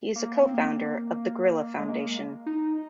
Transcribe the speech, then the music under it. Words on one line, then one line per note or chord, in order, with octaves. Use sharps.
He is a co-founder of The Gorilla Foundation.
A#3
C4
A#3
G#3
A#3
D#4